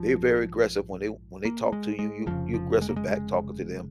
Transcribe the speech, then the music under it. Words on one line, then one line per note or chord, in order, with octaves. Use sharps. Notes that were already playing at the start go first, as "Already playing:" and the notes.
They're very aggressive when they when they talk to you, you you aggressive back talking to them.
Already playing: A#1 G#2 F3
A#3
G#3
G#3
F1 F2 C#3 F3
F3
G#3
A#3
G#3
G#3